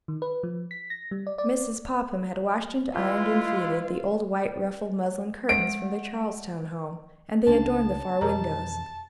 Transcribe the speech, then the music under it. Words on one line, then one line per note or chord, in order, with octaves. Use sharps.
Mrs. Popham had washed and ironed and fluted the old white ruffled muslin curtains from the Charlestown home, and they adorned the four windows.
D#3
B4
F3
B6
A#6
G3
D5
D5
E3 G#3 E4 F4
G#3 F#5 D7
C#2 C#4 D4 A5
F2 B2 E3 G4 A#4 D#5 A#5